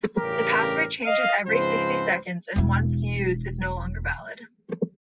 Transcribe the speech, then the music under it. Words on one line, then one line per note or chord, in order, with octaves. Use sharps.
The password changes every sixty seconds and once used is no longer valid.
A1 G2 C#3 G4 A#4
D#5 F5
C#2 G#2 F3 C4 B4 C5
E1 E4